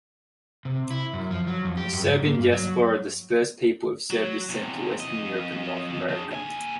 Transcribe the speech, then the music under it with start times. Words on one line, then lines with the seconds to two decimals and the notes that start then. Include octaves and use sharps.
A Serbian diaspora dispersed people of Serb descent to Western Europe and North America.
0.65 C3
0.90 E4
1.13 F#2
1.31 F3
1.47 F#3
1.65 F2
1.77 G4
1.93 F#2
2.07 G#2
2.25 A#3
2.39 G2
2.52 F#3
4.10 F#3
4.50 E2 C3
5.00 F2 D#5
6.09 D4 G#4
6.31 D#2 G#5